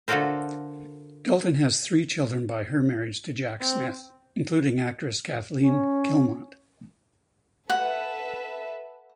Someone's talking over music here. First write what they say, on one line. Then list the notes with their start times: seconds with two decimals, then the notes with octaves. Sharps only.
Dalton has three children by her marriage to Jack Smith, including actress Kathleen Kinmont.
0.08 D3 F4 F#4 A4 A#4 C5
3.61 C4
5.61 C#4
7.70 A4 B4 E5 F#5